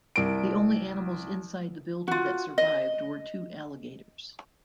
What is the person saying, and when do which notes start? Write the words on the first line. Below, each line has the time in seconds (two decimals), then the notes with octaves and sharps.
The only animals inside the building that survived were two alligators.
0.16 C2 A#4 D7
2.08 F4 F#4
2.58 D#5